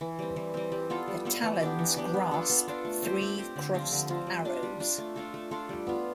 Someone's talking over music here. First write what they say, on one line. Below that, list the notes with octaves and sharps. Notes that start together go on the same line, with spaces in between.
The talons grasp three crossed arrows.
E3
G3 C4
E3
G3 C4
G3
B3 F4 A4
G3
B3 F4 A4
E3
B3 D4 G4
E3
B3 D4 G4
B3
D4 F4 A4
B3
D4 F4 A4
A3
C4 G4 C5
A3
C4 G4 C5
D3
F3 C4 F4
D3
F3 C4 F4
G3
D4 F4
G3
D4 F4
A3
D4 F4 A4
A3
D4 F4 A4
G3
B3 F4